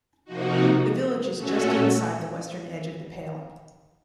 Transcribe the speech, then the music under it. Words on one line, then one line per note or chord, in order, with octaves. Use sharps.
The village is just inside the western edge of The Pale.
C3 F3 A#3 D#4 F#4
A#2 A3 C#4 F#4 A4